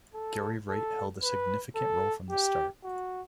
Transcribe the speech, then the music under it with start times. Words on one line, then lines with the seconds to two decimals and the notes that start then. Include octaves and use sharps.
Gary Wright held a significant role from the start.
0.14 A4
0.69 A4
1.23 B4
1.76 A4
2.30 G4
2.84 F#4